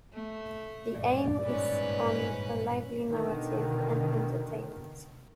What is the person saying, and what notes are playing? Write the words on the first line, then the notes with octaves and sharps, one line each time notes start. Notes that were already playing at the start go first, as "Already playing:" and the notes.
The aim is on a lively narrative and entertainment.
A3
G2 A#2 E3 D5
G#2 C#4 B4
B2 D3 D#3